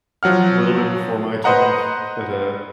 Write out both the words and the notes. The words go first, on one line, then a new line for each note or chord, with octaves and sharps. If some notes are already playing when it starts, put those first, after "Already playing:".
a little bit before my time, but uh,
F3 F#3 F#5 F6
B4 C5 D#5 F#5 A#5